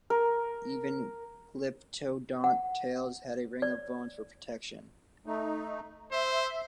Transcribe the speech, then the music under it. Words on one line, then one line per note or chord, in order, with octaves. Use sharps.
Even glyptodont tails had a ring of bones for protection.
A#4
F#5
D5
A3 D#4
C5 E5